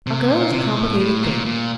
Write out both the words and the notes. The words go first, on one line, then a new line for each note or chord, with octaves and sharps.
A girl is a complicated thing.
C3
A#2
C3
A2
A2
A#2
A#2